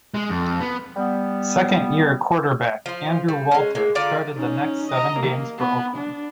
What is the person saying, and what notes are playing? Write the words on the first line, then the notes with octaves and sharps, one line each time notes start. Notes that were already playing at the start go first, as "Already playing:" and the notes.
Second-year quarterback Andrew Walter started the next seven games for Oakland.
G#3
F2
B3
G3 B3
F3 F4
G3
G#3 C#4
G#3 A#3
D3 F4 D5 A#5
C#4 D#4
D#5 A#5
A#3
B3
D4